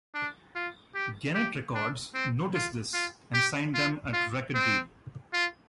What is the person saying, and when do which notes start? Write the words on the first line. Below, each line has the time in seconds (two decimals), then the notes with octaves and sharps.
Genet Records noticed this and signed them a record deal.
0.15 D4
0.55 F4
0.95 G4
1.35 G4
1.75 D4
2.14 C4
2.54 F4
2.93 F4
3.34 G4
3.74 F4
4.13 F4
4.54 C4
5.33 F4